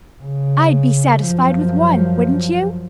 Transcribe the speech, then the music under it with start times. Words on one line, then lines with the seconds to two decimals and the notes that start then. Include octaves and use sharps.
I'd be satisfied with one, wouldn't you?
0.22 C#3
1.23 F#2 F3